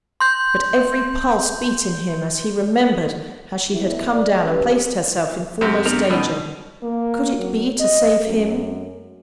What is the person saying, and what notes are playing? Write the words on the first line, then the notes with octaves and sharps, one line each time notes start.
But every pulse beat in him as he remembered how she had come down and placed herself in foremost danger,--could it be to save him?
C6 G6
G#3 A3 B3 E4
D5
C#4 F#4 G4 B4
F#2 C3
B3 D4 A#4
B2 G3 C#4 D#4
A#3
F#3
D#5
F#2